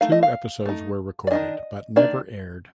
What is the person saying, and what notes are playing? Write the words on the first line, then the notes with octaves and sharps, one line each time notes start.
Two episodes were recorded but never aired.
A3 D#4 F5
D#5
F5
A3 D#4
D5
D#3 A#3 D4 D#5
D#3 A#3 D4 D5